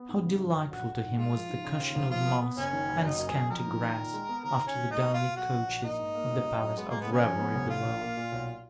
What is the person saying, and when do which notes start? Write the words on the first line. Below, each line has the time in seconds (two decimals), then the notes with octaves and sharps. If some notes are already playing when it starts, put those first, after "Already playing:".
How delightful to him was the cushion of moss and scanty grass after the downy couches of the palace of revelry below!
Already playing: B3
0.09 G#2
0.24 C#3
0.40 F#2
0.55 F#2
0.71 A#1 F#4
0.87 A#1
0.94 F#4
1.02 G#2
1.17 G#3 F4
1.33 F3
1.49 G#2
1.64 C#3
1.80 D#2
1.95 F1
2.11 F3 F4
2.27 B3
2.42 B3
2.57 F#1 C#4
2.73 D#3
2.89 F#1
3.04 F#2 D#4
3.19 F#2
3.28 G#4
3.35 F#2
3.50 F2 A#4
3.66 D#3
3.82 D#3
3.97 A#2
4.13 G#3
4.29 B3
4.44 D#2 A#4
4.59 D#2
4.67 C#4
4.75 F#3
4.91 A#3 D#4
5.06 B2
5.13 F4
5.21 B2
5.37 F#3 F#4
5.53 A#1
5.68 A#1
5.84 A#3 D#4
5.99 G#2
6.15 A#3
6.30 F#2
6.46 F#2
6.61 F#2
6.77 G#3 B3
6.89 G#3 A#3
7.01 B3
7.08 C#3 C#4
7.23 F2
7.39 B3
7.55 F1
7.70 A#1 F4
7.86 A#1
8.01 A#3
8.17 A#2
8.32 B1